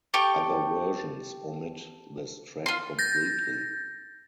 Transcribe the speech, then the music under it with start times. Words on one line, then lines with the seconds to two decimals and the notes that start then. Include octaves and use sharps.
Other versions omit this track completely.
0.14 G4 A4 G5 C#6
2.66 F4 C6
2.99 G6 A6 A#6